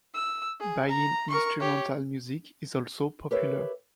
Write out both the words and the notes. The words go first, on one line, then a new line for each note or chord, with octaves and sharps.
Bayin instrumental music is also popular.
E6
G#4
A#5
A#4 C#6
G4 C#5
G4 A#4 B4 C#5 E5